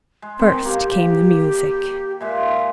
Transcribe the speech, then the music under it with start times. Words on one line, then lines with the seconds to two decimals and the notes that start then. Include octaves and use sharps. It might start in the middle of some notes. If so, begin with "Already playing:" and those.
First came the music.
0.22 G#3
0.39 D#3 G#3 C4
0.65 A#3 G4
2.21 A#2 G#3 E5